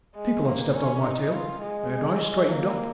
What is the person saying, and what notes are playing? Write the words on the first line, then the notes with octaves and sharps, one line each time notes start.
People have stepped on my tail, and I straightened up.
G#3
A#3
C#4
D#4
F4
G#3
A#3